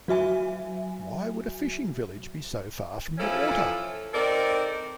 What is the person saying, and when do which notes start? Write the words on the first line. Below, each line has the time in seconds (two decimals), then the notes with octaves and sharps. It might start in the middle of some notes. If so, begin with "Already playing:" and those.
Why would a fishing village be so far from the water?
0.08 F#3 F#4 E5 G#5
3.18 E3 F3 C#4 E4 A4
4.14 C4 D#4 A4 A#4 D5